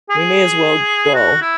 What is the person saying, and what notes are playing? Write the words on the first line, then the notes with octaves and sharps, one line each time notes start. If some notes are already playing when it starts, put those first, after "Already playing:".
we may as well go,"
G#4
F#4
E4